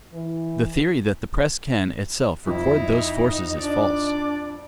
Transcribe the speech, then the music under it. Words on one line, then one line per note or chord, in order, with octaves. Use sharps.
The theory that the press can itself record those forces is false.
E3
F2 D#4 E4
D4 D5